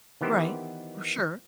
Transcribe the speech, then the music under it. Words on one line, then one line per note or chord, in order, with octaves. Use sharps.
Right, r sure.
D#3 E3 B3 G4 A#4 C5